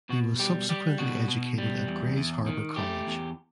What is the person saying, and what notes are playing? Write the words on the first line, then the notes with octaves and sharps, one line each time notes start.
He was subsequently educated at Grays Harbor College.
B2 F#4
G3 G4
G3 G4
B2 F#4
B2
G3
E2
E2
D#3
A3 G4
E2